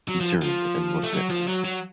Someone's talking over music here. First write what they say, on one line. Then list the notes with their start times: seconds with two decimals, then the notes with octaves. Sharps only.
He turned and looked at her.
0.08 F#3
0.21 F3
0.43 F3
1.03 A3
1.13 F#3
1.30 F3
1.48 F#3
1.65 F#3